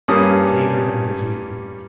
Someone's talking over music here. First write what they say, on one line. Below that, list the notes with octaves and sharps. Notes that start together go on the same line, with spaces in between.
But they remember you!
G2 G3 A#3 C#4 D#6